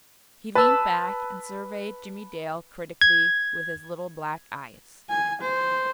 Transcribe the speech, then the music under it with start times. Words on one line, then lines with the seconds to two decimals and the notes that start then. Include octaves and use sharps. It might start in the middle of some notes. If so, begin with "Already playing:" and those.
He leaned back and surveyed Jimmie Dale critically with his little black eyes.
0.55 B4 A5 E6
3.01 G#6
5.10 G#5
5.41 C5